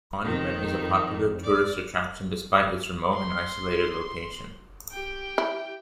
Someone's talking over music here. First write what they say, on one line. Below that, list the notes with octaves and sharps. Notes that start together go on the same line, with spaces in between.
The monument is a popular tourist attraction despite its remote and isolated location.
F2 D#3
D5
C6
G4 G5
E4